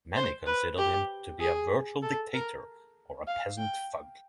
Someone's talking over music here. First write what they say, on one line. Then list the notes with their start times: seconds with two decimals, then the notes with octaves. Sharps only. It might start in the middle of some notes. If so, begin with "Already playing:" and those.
Many considered him to be a virtual dictator or a peasant thug.
0.16 C5
0.46 B4
0.78 G4
1.40 G#4
2.02 A4
2.34 A#4
3.27 F5
3.58 G5